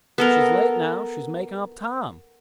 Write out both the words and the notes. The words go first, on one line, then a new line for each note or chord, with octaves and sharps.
"She's late now, she's makin' up tahm!"
B3 A4 A#4